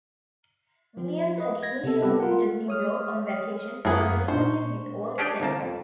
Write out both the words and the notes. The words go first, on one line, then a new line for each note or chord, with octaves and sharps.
Williams had initially visited New York on vacation for a reunion with old friends.
F3
B4 D#5
G#6 A#6
C3 B3 A4
G3 B3 C4 G4 A4 B4
F4 A#4 F#5
C#5 D#6 F6
F#2 A#3 B3 G#4
A#2 D4 C5 C#6
C#4 D4 G4 G#4 D5 G5
G1 C2 A#3 A5
F2